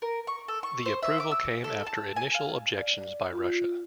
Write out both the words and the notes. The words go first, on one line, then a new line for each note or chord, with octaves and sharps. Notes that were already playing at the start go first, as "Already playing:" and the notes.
The approval came after initial objections by Russia.
A#4
C#6
A4
C#6
C5
E5
D6
E6
A4
A5
G#5
F5
D5
F4